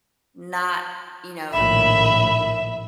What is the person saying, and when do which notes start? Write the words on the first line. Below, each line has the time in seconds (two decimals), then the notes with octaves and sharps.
not, you know,
1.54 A#1 A2 D#3 E5 B5